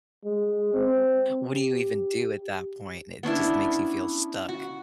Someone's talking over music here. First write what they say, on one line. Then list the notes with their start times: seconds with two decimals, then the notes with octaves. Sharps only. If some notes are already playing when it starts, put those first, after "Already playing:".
what do you even do at that point? It, just, makes you feel stuck,
0.24 G#3
0.73 C4
1.54 G4
3.23 B3 C#4 D4 E4
4.49 F#4